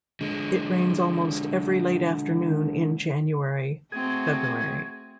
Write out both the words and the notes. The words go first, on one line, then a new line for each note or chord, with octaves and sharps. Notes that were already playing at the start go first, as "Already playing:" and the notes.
It rains almost every late afternoon in January-February.
D3 G#3
A3 C4 F#4 G#4